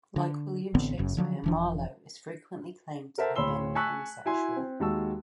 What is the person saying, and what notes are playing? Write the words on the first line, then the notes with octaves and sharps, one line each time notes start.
Like William Shakespeare, Marlowe is frequently claimed to have been homosexual.
D3
A1 D3 B3 C4
F#1 F#2 C#3
D3 F3 F#3
E1 E3 F3
A4 A#4 C5 E5 F#5 A5
D1 C#5 B5 C6 E6 G7
G#5 A5 C#6 E6 F#6 B6
E4 F#4 G#5 C6
C4
D#2 G#3 F#4 A5 C#6 E6